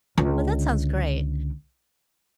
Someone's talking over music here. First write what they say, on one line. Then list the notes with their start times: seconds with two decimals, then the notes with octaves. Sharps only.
Well, that sounds great.
0.18 C#2 D3